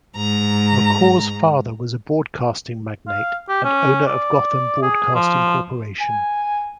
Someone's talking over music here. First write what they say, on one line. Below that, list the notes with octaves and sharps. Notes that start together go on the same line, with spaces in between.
McCaw's father was a broadcasting magnate and owner of Gotham Broadcasting Corporation.
G#2 A#5
F5
G4
C#4
D5
G#4
F3
G#5